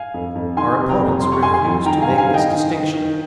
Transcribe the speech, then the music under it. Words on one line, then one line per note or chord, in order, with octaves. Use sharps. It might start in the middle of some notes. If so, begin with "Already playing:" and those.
Our opponents refuse to make this distinction.
Already playing: F5 G#5
F2
F2
D#3 G#5 C6
C3
G5 A#5
F2
C3 C6
C#6
F2 G#5 C6
G#5 C6
F2
D#3 G5 A#5
F5 G#5
G2
F5 G#5
D#3
D#5 G5
D#3
D#3
D#3